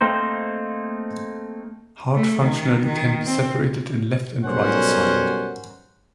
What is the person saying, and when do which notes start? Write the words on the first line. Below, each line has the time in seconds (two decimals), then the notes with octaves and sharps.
Heart functionally can be separated in left and right side.
0.01 A3 A#3 C4 D#4 C5
2.15 A3
2.44 D#3
2.86 D#3
3.25 C4
4.45 B1 G3 C#4 A#4 C5 F#5